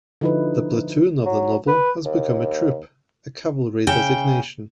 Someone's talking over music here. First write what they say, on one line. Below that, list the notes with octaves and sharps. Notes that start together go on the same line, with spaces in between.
The platoon of the novel has become a troop, a Cavalry designation.
D3 F3 D#4 E4 B4
F#3
B4
D#2
C#3 G5